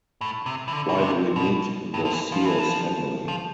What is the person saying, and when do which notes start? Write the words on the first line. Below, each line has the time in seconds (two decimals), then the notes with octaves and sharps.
Why do we need the seers anyway?
0.21 A2
0.46 C3
0.68 E3
0.72 D3
0.89 B2
0.98 C3
1.36 B2
1.94 G2
2.05 D3
2.13 E3
2.32 F3
2.45 E3
2.59 F3
3.28 F3